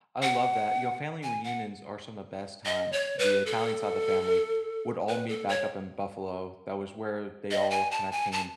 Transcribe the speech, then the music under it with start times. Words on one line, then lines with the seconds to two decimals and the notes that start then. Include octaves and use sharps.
I love that, you know, family reunions are some of best times. The Italian side of the family would all meet back up in Buffalo, that was where they all kinda came
0.22 F#5
1.23 G#5
1.44 F#5
2.66 D#5
2.92 C#5
3.19 B4
3.46 A4
5.09 B4
5.28 A4
5.49 C#5
7.51 D#5
7.71 G#5
7.91 A5
8.12 G#5
8.32 A5